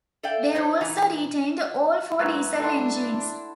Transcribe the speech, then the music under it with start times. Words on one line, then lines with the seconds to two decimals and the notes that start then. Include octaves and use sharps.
They also retained all four diesel engines.
0.23 A4 D5 E5 F5 G5
0.55 D#4 E4 C5 C#5
0.81 A#2 E3 D#4 B4 A#5
2.19 G#2 F#3 E4 B4 E5
2.59 D4 A4 F#5 C6